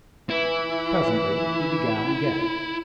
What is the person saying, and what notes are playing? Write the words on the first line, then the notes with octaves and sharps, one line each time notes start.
Presently he began again.
E3 E4